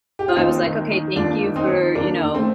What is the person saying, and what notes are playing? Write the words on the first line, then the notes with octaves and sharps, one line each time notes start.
So, I was, like, okay, thank you for, you know?
G4
F4
D#2 C4 D#4
D#3
D#3
D#2 D4 F4
D#3
C4 D#4
D#3
D#2 A#3 D4
D#2
A3 C4